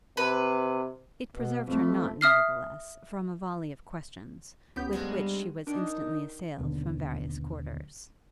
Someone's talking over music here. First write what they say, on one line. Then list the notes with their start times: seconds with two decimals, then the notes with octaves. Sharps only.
It preserved her not, nevertheless, from a volley of questions, with which she was instantly assailed from various quarters.
0.17 C3 B4
1.36 B2
1.68 F2 A3
2.21 E5 D#6 F6 C7
4.76 C#2 B3 G4 G6
4.93 G2 C3 G3 G#3
5.67 D#3 D4 D#4
6.59 D#1 B1 D3